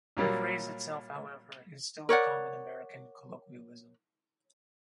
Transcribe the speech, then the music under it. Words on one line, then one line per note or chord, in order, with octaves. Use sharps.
The phrase itself, however, is still a common American colloquialism.
A#2 F#3 G3 A#3
A#4 C#5 D5 F#5